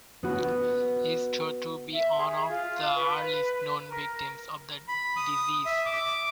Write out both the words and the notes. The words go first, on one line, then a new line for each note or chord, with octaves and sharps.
He is thought to be one of the earliest known victims of the disease.
B3 F#4
E5
G#4
F4
B4
A#4
B5
D#6
E5
D6